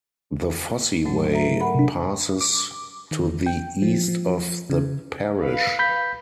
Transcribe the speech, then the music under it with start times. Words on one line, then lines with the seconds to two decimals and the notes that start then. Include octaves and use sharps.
The Fosse Way passes to the east of the parish.
1.05 G#2 F#3 A3
1.32 A4 E5 A#5
1.60 A#4 F#5 B5
1.75 C3 D4
2.41 D6
3.11 D#3
3.46 G5
3.82 F3
4.08 F3
4.70 C#3
5.40 B4 F5
5.79 B5 G6 B6